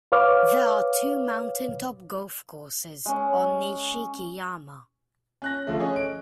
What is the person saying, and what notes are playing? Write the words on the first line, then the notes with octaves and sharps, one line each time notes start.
There are two mountain top golf courses on Nishiki-yama.
B4 C#5 F5 D6 F6
G#3 C#4
C#4 F#6 A#6
D3 F3 A3
C#4 G#4 C#5 D#5
D7